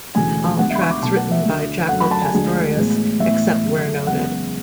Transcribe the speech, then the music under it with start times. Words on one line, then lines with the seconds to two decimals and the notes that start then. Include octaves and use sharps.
All tracks written by Jaco Pastorius except where noted.
0.15 E1 D2 C#3 E3 A3 G#5
0.58 D2 D3 G#3 B3 F#5
0.70 E5
0.75 B5
0.81 C#6
0.91 D6
1.02 B1 B2 A3 A5
1.17 F#5
1.31 E5
1.46 D2 D3 A3
1.89 F#2 D3 A3 F#5
2.00 B5
2.11 A5
2.22 G#5
2.33 D2 D3 G#3
2.76 A1 A2 G#3 B3
3.19 A1 A2 E3 B3 E5
3.63 F#2 C#3 F#3
4.07 F#1 E2 C#3 G#3 B3 F#5